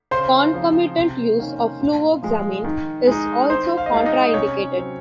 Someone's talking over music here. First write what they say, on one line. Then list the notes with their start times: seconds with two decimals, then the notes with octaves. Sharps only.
Concomitant use of fluvoxamine is also contraindicated.
0.11 C#3 C5 C6
0.54 F3 C4 D#4
0.96 C3
1.38 D#3 A#3 C#4
1.80 A#2
2.23 F3 G#3
2.64 D#3
3.07 G#3 D#4
3.49 D#3 C5 C6
3.77 F5
3.86 D#5
3.92 G#3 D#4 F4 F5
4.05 D#4 D#5
4.34 C3 C#4 C#5
4.76 F#3 C4